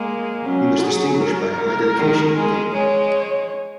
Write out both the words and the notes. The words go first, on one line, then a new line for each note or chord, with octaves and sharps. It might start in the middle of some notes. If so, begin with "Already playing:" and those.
He was distinguished by high dedication in the game.
Already playing: G#3 A#3
F#3 C#4
G#4
A#4
D#3
G#3
G#3 C#5